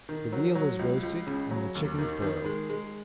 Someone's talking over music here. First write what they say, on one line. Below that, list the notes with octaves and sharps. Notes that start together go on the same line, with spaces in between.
The veal is roasted, and the chickens boiled.'
D#3
F#3
F#3
C#2
C#2
C#3
F#3
D#2
D#3
D#3
G#3
G#3